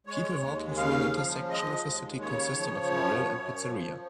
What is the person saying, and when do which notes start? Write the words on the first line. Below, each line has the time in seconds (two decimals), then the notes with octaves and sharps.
People walking through an intersection of a city consisting of a grill and pizzeria.
0.06 G#3 C#5
0.42 D#2
0.77 C#3 F5
1.13 F3
1.49 G#3 D#5
1.85 D#2
2.20 C#3 C#5
2.56 F3
2.92 F#2
3.28 F#2
3.64 F3